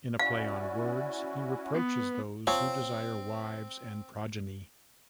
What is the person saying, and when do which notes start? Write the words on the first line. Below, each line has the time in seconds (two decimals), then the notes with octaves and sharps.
In a play on words, he reproaches those who desire wives and progeny.
0.19 C#4 E4 F#4 D5 F5
1.74 B3 B4
2.47 F3 C4 C#5